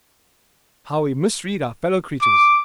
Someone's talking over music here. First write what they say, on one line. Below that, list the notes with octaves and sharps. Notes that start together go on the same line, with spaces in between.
How we misread our fellow creatures.'
D6